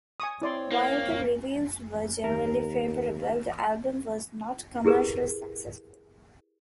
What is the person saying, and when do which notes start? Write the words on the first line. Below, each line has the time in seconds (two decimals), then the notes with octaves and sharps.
While the reviews were generally favorable, the album was not commercially successful.
0.20 G#5 C#6 D#6
0.42 C4 E4 C#5 D5 C6
0.71 A#3 E4
2.24 D#2 A#4
4.85 E4 G4 G#4 A#4 B4